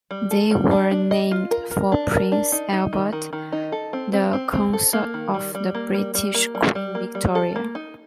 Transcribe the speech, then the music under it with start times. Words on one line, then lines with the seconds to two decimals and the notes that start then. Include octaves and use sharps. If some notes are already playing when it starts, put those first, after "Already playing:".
They were named for Prince Albert, the consort of the British Queen Victoria.
0.11 G3
0.31 A4
0.51 G3
0.71 D4
0.91 D4
1.11 D#5
1.32 F4
1.51 A#4
1.71 A#4
1.92 D4
2.12 A#4
2.32 D4
2.52 D#4
2.73 D#4
2.93 D#3
3.13 D#3
3.33 D#3
3.52 D#4
3.72 A4
3.93 C4
4.13 C4
4.33 C4
4.53 C4
4.73 A4
4.93 A#3
5.14 D#3
5.34 G3
5.55 G3
5.75 A#3
5.94 G3
6.15 G3
6.34 A#3
6.55 G3
6.75 G3
6.95 A#3
7.15 G3
7.35 A4
7.56 A#3
7.75 D#4